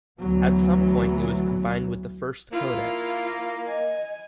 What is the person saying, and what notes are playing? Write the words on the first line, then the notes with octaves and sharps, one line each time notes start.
At some point it was combined with the first codex.
D2 E3 F#3 B3
A#3 E4 F4
D#5 G#5